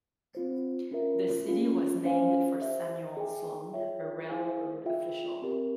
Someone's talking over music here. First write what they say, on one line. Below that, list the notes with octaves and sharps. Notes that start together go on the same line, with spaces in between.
The city was named for Samuel Sloan, a railroad official.
C4 F4 C5
C#4 F4 A#4 E5
A#3 C#4 F4 G#4
C#4 F4 C5 F5 G#5
G4 C5 E5
G#4 E5 G5
F4 G#4 C#5 E5 G5
E4 G#4 C5 F5 G#5
F4 G#4 E5 G5
C4 G4 A#4